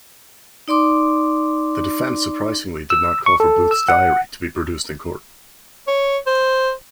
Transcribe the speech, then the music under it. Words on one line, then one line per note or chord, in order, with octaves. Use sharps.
The defense surprisingly did not call for Booth's diary to be produced in court.
D#4 D5 C6 D6
E6
C#6
A4
E6
F#5
C#5
C5